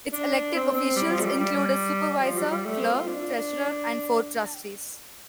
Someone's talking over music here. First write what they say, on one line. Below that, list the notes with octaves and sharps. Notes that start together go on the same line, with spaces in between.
Its elected officials include a Supervisor, Clerk, Treasurer and four trustees.
D4
C4
C4
G3
F3
A3
G3
G3
F3
G3
G3
A3
C4
F4
D4